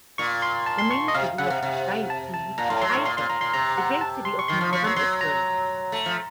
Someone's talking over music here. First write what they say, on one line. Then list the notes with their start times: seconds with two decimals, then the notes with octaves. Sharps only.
The main city of his diocese is Haifa, the great city of northern Israel.
0.18 A#2 C#6
0.42 C6
0.66 A5
0.78 C6
0.91 C#6
1.08 D#5
1.14 C3 F5
1.38 C#3 F#5
1.50 C3
1.63 C3
2.10 A5
2.34 A5
2.58 A#2 A#5
2.70 A2 C6
2.82 F#3 C6
2.94 A2 C#6
3.05 A#2 C6
3.17 A#2 C6
3.29 A#2 A#5
3.41 A#2 C6
3.53 C3 A#5
3.78 F#5
4.01 A5
4.25 C6
4.39 C#6
4.48 D#3 C6
4.61 F3
4.73 F3 C#6
4.84 F#3
4.96 F#3 C6
5.21 A#5
5.92 A3
6.06 F3